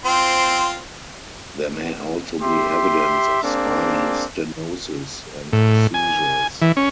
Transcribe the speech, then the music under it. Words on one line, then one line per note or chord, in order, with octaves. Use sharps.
There may also be evidence of spinal stenosis and seizures.
C4 F4 C5
G4 E5 C6
A#3 C4 D4 G#4
A2
G#5
E3
C#4